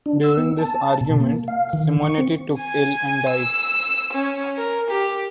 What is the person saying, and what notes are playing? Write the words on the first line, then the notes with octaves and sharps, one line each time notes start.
During this argument, Simonetti took ill and died.
D4
E6
B3
A5
B2
A#3
F5
D#3
C#6
C4
G#5
E6
C#4
A#4
G4